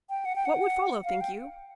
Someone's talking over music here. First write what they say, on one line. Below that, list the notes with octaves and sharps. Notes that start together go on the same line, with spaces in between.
What would follow, think you?
G5
F#5
G5
F#5
F5
G5